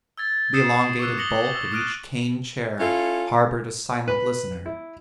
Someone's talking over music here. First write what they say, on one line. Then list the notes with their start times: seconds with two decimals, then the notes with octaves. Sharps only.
The elongated bulk of each cane-chair harboured a silent listener.
0.18 E6 G#6 A6
0.54 D#6 E6 G6 C7 C#7 E7
0.99 C#6 D6 E6 F#6
1.17 D6 D#6 A#6 C#7 F#7 G7
1.55 E6
1.71 D6 D#6 F6 F#6 D7 D#7
2.80 C#4 E4 F4 A4
4.08 B4
4.66 E4